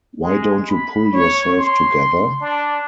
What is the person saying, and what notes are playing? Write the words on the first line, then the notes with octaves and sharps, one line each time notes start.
Why don't you pull yourself together?
G#3
B5
C#5
C6
D4